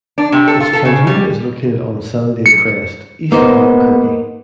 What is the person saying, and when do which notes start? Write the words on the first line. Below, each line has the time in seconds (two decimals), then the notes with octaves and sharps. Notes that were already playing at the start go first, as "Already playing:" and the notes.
Its transmitter is located on Sandia Crest, east of Albuquerque.
0.18 D4
0.32 C3
0.47 A4
0.60 F4
0.73 A4
0.85 C#3
1.07 G3
2.46 C#7
3.32 A#3 B3 D#4 C5